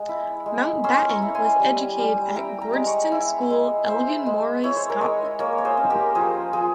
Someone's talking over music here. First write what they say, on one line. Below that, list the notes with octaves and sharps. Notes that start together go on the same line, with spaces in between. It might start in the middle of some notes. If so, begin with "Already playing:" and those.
Mountbatten was educated at Gordonstoun School, Elgin, Moray, Scotland.
Already playing: G#3
E4
G#3
C#4 C6 E6
C6
A#5 C#6
E4
G#5 C6
G3
G3
E4 G5 A#5
G5 A#5
G#3
A#5 C#6
E4
G#3
E4 C5 E5
G#3
E4 C#5
C5
A#4 C#5
G#3
A#3 A#4 C#5
C#5
G#4 C5
C#4
G4 A#4
F3 G#4 C5
F3 G#4 C5